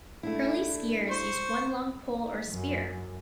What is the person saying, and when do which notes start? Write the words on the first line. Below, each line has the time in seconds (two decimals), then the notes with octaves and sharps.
Early skiers used one long pole or spear.
0.23 A3 D4 E4
1.10 C5 C#6
2.50 F#2